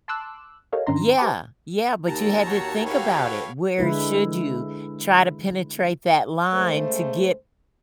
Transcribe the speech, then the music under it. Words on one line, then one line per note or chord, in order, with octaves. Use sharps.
Yeah. Yeah, but you had to think about it. Where should you try to penetrate that line to get
A5 C6 D6 E6 F#6
G4 A4 A#4 C#5 D#5 F5
G#2 D#3 C#4 D4 A#5 C6
G4 B4 C5 G5 A5 D6
D#2 A5 A#5
F#4 C#5
F#4 G4 A4 B4 C#5 F5
D3 G#3 E4 B4
C#3 G#3 A3 A4 C5